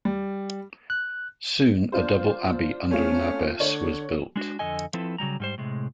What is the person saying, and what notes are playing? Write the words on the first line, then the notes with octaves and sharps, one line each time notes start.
Soon a double abbey under an Abbess was built.
G3
F#6
D4 F4 C5
A3 C4 C#4 F4
D3 C#5
G#3 D4 F#4
F2 D3 A4 D#5 G#5
F3 C4 E4 A4 B4
C#3 F#3 G3 A#5
G#2 G3 C5
A2 C3 G#3